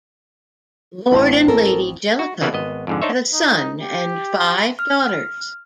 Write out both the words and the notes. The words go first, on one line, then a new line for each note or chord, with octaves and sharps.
Lord and Lady Jellicoe had a son and five daughters.
A1 C4 A5
A4 A#4
F#4
C#3 E3 A#3 B3 D4
G#1 B3 D#5
F2 G#2 D3
D4 D#4 C5 C#5 E5
D#4
G4
F6